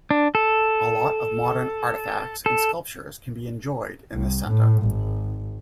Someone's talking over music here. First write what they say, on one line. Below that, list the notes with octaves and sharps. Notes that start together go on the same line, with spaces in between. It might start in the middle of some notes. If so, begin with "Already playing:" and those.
A lot of modern artefacts and sculptures can be enjoyed in this centre.
D4
A4
A4
C2
A2
G#1